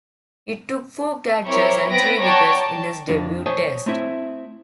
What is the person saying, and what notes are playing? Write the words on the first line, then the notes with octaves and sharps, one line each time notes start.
He took four catches and three wickets in his debut Test.
C4 E4 G4 A#4 C#5
B3 C4 B4 G5 A#6 D7
F#4 C#5 D5 G5 A5 A#5
A5
F2 C3 D4
C5 C#5 D#5 G#5 A5
A3 C4 E4 E5